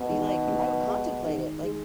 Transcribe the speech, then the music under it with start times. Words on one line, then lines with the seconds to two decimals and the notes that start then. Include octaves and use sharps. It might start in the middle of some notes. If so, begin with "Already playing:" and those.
be like I would contemplate it, like,
Already playing: B2 B3
0.09 D#3
0.47 B3
0.86 G#3
1.25 D#3
1.63 G#3